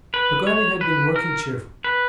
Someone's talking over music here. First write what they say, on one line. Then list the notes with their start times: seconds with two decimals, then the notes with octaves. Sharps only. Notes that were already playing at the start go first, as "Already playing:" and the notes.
Peggotty had been working cheerfully.
0.14 B4
0.47 C#5
0.81 B4
1.16 A#4
1.84 B4